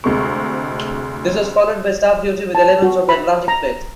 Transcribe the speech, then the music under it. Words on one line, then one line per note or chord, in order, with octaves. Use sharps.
This was followed by staff duty with elements of the Atlantic Fleet.
D2 C3 G#3 C4 C#6
A5
F#4
B5
A#5